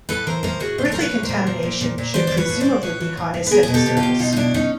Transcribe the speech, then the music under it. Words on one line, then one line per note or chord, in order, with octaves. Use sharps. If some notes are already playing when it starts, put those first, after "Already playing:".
Earthly contamination should presumably be highest at the surface.
A2 A4 B4
E3 A#4 C5
A2 A#4 C5
A2 F#4 G#4
A#2 C5
C#5
A#4 C5
F3
B4 C#5
A#2
A#4 C5
A#2
F3
A#2
A#2
A#2
E3 C5 D5
E3 D5
B4 C#5
A2
A2 C5 D5
A2 B4 C#5
E3
A2
A2
B4
B2 G#4 A#4
B2 G#4
G4 A4
B2
F4 G4
B2
B2 D#4 F4
D#4
B2 D4 E4
B2 C#4 D#4